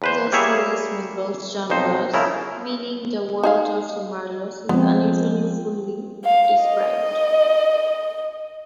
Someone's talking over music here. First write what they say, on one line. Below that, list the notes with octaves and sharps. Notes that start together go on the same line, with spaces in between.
The series mingles genres, meaning the world of the Marlows is unusually fully described.
E2 B4 C5
G3 A#3 E4 G#4 C#5 E5
B1 F2 D#4 C5
C#3 F3 E4 A#4
D#4 G#4 F5
F3 G#3 B3 C4
F5
D#5